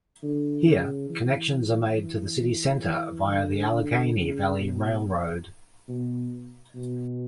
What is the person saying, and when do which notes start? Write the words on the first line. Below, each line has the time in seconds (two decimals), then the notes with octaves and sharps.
Here, connections are made to the city center via the Allegheny Valley Railroad.
0.23 D3
0.67 C#3
1.10 E3
1.98 E3
2.41 E3
2.84 E3
3.28 D3
3.72 D3
4.15 C#3
4.59 B2
5.89 B2
6.75 B2